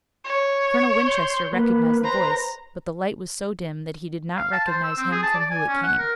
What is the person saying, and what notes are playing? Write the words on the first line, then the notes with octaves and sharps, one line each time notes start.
Colonel Winchester recognized the voice, but the light was so dim that he did not recognize him from whom it came.
C#5
C6 G6
A#3 B4
B4 C5 A#5
F5
A5
C5
E6
C4
G#4
A5
D5
G#5
C#4
F#5
A#4